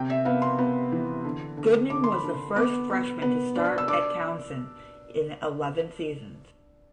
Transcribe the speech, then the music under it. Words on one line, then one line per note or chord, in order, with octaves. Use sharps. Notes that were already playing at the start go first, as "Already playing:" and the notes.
Goodman was the first freshman to start at Towson in eleven seasons.
Already playing: C3 G5
E5
B3 F5
C6
B3
E3
D3
D3
D3 D6
C6
B5
D3
B3 D6
B3
B3
D4
E6
D4 D6